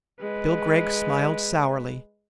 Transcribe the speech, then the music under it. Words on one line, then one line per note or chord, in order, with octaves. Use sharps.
Bill Gregg smiled sourly.
G#3 B4